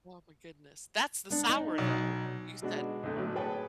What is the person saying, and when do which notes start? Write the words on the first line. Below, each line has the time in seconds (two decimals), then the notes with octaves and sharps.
Oh, my goodness, that's the sour, though! You said,
1.30 B3 D4
1.49 D#4
1.78 B1
2.62 B2 G#3 D4 F#4
3.03 B1 D3 A3
3.16 A1 A2 F#3
3.35 G#4 B4 C#5 G5 A5